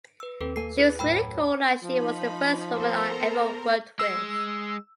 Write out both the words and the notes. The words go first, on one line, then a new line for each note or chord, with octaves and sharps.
She was really cool as she was the first woman I ever worked with.
B4 E6
D#2 C4 A4 B4
A#3 A4 G#5 C7
E4 G#4 B4
F#2 A2 B4 G5 B5 E6
F3 D#4 B5
B3 A4 A#4 C5 A#5
G#3 E6